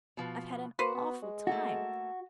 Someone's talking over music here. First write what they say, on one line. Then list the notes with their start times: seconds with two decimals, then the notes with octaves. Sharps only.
I've had an awful time.
0.17 B2 F3 B4
0.79 A#3 F#4 B4 C5
0.95 B3
1.22 G#3
1.47 A3 A#3 F#4 A4